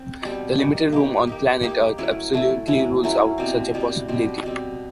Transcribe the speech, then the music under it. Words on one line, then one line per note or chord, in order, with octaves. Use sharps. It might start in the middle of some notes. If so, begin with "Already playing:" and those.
The limited room on planet Earth absolutely rules out such a possibility.
Already playing: C4
B2 G3 C4
A#3 D#4 G4
A#3 D#4 G4
A#3 D#4 G4
A#3 D#4 G4
F#3 A3 C#4 E4
F#3 A3 C#4 E4
F#3 A3 C#4 E4
F#3 A3 C#4 E4
B2 G3 C4
B2 G3 C4
B2 G3 C4
B2 G3 C4